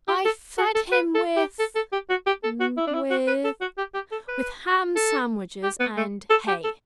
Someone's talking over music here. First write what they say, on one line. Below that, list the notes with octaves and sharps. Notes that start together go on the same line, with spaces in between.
I fed him with--with--with Ham-sandwiches and Hay.
G4
A4
F#4
A4
B4
A4
G4
A4
A4
G4
F#4
G4
A4
F#4
E4
D4
E4
F#4
B4
A4
F#4
G4
G4
A4
B4
A4
G4
B3
A3
A4
G4
A4